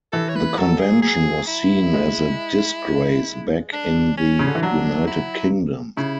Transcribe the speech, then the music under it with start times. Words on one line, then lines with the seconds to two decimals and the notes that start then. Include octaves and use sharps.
The Convention was seen as a disgrace back in the United Kingdom.
0.12 E3 A4
0.29 C#5
0.36 B4
0.58 F#3 A4
0.80 G#4
1.02 G#4
1.48 E4
1.93 G#3
3.73 D4
4.17 C#4
4.39 C#3
4.47 D3
4.55 E3
4.62 F#3 D4
5.07 E4
5.97 C#3 E4